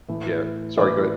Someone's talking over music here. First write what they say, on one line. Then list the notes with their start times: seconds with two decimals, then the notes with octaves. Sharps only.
yeah, sorry, go ahead.
0.09 A2 E3 A3
0.78 A2 E3 A3 B4 D5